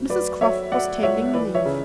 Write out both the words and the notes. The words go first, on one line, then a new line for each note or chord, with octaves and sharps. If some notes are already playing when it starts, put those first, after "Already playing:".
Mrs Croft was taking leave.
Already playing: D2
F#3 B4 D5
F#3 C#5 E5
F#3 D5 F#5
C#2 C#5 E5
E3 B4 D5
C#5 E5
C#3